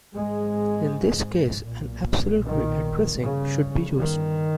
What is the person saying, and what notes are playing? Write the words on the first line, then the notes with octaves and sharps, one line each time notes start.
In this case an absolute readdressing should be used.
G#1 G#2 G#3
B1 A#2
D#3
G1 G2 C#3
D#3